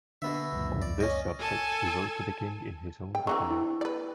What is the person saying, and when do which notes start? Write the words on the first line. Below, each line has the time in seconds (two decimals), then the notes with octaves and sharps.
On this subject he wrote to the king in his own defence.
0.22 B2 D3 B3 E5
0.53 C#2 F#2 A#2
0.82 D5
1.00 C#4 D#5
1.39 A4 G#5 A5
3.15 G5
3.27 D3 E3 C4 A#5 C#6
3.51 E4
3.81 B4 D5